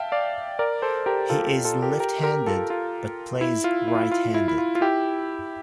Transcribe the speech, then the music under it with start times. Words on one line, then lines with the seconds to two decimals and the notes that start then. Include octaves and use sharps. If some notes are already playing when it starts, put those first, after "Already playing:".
He is left-handed, but plays right-handed.
Already playing: E5 F5 G5 A5
0.12 D5 F5
0.59 A#4 D5
0.82 A4 C5
1.06 G4 A#4
1.30 F4 A4
1.41 G4
1.47 F4
1.65 F4 A4
1.82 G4 A#4
2.00 G4 A#4
2.23 G4 A#4
2.46 F4 A4
2.70 F4
3.41 E4
3.64 F4
3.88 E4
3.95 F4
4.03 E4
4.12 F4
4.34 E4
4.48 E4
4.58 F4
4.75 F4
4.81 E4 G4